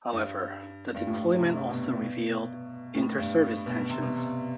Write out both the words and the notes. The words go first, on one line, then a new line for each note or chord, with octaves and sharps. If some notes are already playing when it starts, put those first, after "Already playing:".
However, the deployment also revealed interservice tensions.
G2
G2
A2
C3
B2
A2
G2
B2
C3
B2
C3